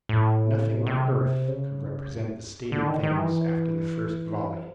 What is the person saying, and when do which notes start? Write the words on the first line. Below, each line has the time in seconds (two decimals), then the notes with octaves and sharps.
Nothing on earth could represent the state of things after the first volley.
0.09 A2
0.87 C3
1.48 C#3
2.72 D3
2.87 D#3
3.03 D#3
3.18 E3
4.58 F3